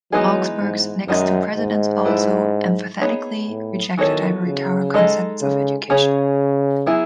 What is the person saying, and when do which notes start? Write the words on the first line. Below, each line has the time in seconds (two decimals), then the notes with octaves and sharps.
Augsburg's next two presidents also emphatically rejected ivory tower concepts of education.
0.12 E3 F#3 G#3 B3 D#4 G#4
0.60 G#2
1.08 F#2 D#3 G#3 D#4 F#4
1.57 G#2
2.05 A3 E4 B4
3.01 B3 D#4 G#4 C#5
3.49 A2
3.98 D#3 E3 B3 F#4 A4 C#5
4.45 C#3
4.94 G#3 D#4 A4 D#5
5.42 C#3
5.90 C#3 C#4 G#4 C#5
6.86 F#3 B3 E4 G#4